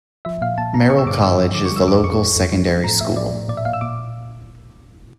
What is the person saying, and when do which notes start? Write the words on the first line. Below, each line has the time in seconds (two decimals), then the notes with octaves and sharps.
Merrill College is the local secondary school.
0.25 F3 E5
0.42 A#2 F5
0.58 A#2 A5
0.74 A#2 A#5
0.90 D3 C#6
0.98 E6
1.06 G2 D6
1.22 G2 E6
1.38 F3
1.55 D3 D6
1.65 C#6
1.71 G3 E6
1.88 F2 D6
2.03 F2 C#6
2.20 F2
2.36 F2
2.52 F3
2.68 F3
2.84 A2 A#5
3.01 A2 E5
3.16 F3 D5
3.33 A2
3.48 A#2 D5
3.57 E5
3.65 A#2 F5
3.73 E6
3.81 A#2 D6